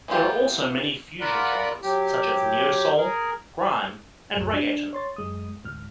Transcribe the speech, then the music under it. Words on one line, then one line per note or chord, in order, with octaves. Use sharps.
There are also many fusion genres such as Neo soul, Grime, and Reggaeton.
E3 A3 B3 F4 G4
F4 A#4 D5 F#5 B5 F#6
F#3 G4
G#4 A#4
C2 F#2 A2
D4
C#5 C6 A6
F#2 G#3 D#6
D2 G#2 F6